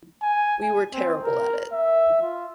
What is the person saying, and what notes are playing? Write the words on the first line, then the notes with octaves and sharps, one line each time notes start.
We were terrible at it.
G#5
G#5
C4
A#4
E5
F4